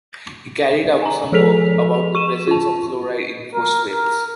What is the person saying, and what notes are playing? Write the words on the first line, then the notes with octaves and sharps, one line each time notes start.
He carried out some work about the presence of fluoride in phosphates.
G#5 A#5
F3 G#4 A4 B6 F7
C#6 D#7 E7
F4 A5
A#4
A#4